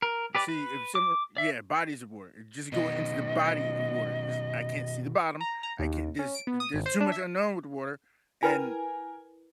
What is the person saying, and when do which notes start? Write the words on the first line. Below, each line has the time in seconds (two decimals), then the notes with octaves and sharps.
see, if some yeah, bodies of water, just go into the body of water 'cause I can't see the bottom, I can't there's there's too much unknown with water, and
0.02 A#4
0.35 G4 B4 D5
0.48 B4
0.95 D6
1.37 D5 E5
2.72 B2 D#3 D#5
5.41 A#5
5.63 A#5
5.79 D#2
5.93 D#2
6.19 C#4
6.35 D7
6.47 B3
6.60 D#6
6.74 G#1
6.86 C5
7.00 D4
7.12 E5
8.43 E4 A#4 B4 G5 G#5 A#5 B5